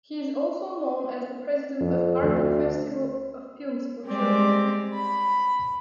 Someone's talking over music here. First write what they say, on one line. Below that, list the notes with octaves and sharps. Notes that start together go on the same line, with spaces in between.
He is also known as the President of Artek Festival of Films for Children.
F2
D2
G3 G#3 C4 G4 D5
B5